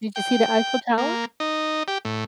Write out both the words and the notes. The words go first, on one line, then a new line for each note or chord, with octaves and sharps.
Did you see the Eiffel Tower?
G5
A#3
D#4
G4
A2